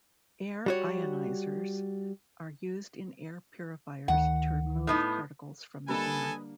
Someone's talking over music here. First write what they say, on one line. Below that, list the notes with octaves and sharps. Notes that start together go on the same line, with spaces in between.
Air ionisers are used in air purifiers to remove particles from air.
G3 F#4 C#5
D2 D#3 F#5
A2 B3 D#4
D3 G3 A#3 A4 B4 C#5 D#5 G#5